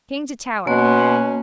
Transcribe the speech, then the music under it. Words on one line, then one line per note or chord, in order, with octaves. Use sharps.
King to tower.
B2 A#3 C#4 F#5 C6